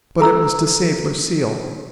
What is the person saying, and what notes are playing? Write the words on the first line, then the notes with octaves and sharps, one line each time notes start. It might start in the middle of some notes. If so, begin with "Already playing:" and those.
But it was to save Lucille.
A4 A#5 E6